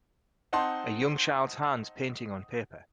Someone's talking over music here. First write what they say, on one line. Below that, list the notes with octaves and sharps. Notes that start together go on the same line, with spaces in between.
A young child 's hands painting on paper.
C4 D#4 F#5 A5 C6